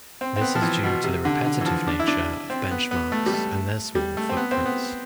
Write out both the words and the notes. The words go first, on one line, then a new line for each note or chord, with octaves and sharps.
This is due to the repetitive nature of benchmarks and their small footprints.
C4
C4
B3
F3
E3
B2
C3
D3
D3
E3
F3
D4
E4
D4
C4
B3
B3
A3
G3
A3
G3
A3
C4
B3
C4
B3